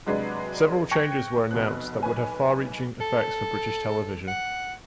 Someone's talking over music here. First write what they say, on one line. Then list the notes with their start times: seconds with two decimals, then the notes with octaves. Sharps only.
Several changes were announced that would have far-reaching effects for British television.
0.06 C3 F#3 G#3 D4 B4
0.91 G5 C#6 F#6 G#6 A#6 C#7
1.51 F1 B2 F#6
2.03 B1 B4 G#5
3.01 A4
4.28 F#5